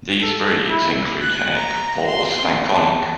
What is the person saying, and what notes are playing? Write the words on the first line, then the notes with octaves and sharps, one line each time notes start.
These breeds include the Heck horse and Konik.
A4
E4
F#6
A#5
C6
A5